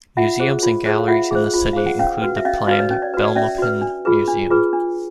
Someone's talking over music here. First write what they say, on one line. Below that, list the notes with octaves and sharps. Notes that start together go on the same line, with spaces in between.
Museums and galleries in the city include the planned Belmopan Museum.
F4 E5 F#5
G#4 C5
F4
G#4 C5
F5
F4 E5 F#5
G#4 C5
F4
G#4 C5 F5
F#5
C#4 F5 G5
F#4 B4
E5
C#4 D#5 F5
F#4 B4 D#5 F5
C#5 D#5
C#4
D5
F#4 B4
D5
C#4 D5 E5
F#4 B4
D4
F4 G#4 B4
D4
F4 G#4 B4
D4